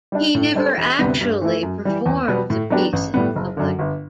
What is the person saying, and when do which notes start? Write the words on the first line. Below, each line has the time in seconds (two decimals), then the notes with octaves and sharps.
He never actually performed the piece in public.
0.12 G3 D4
0.35 A2
0.55 G3 D4 A4 C5
0.77 E1
0.99 D2 C3 G3 B3
1.21 G2
1.41 E3 A3 E4
1.63 F#2
1.85 E3 G3
2.06 E2
2.28 B2 G3 B3
2.50 A2
2.70 F#3 B3 D4 G4
2.93 A1
3.14 A2 G3 B3
3.36 F#1
3.57 F#2 D3
3.79 G1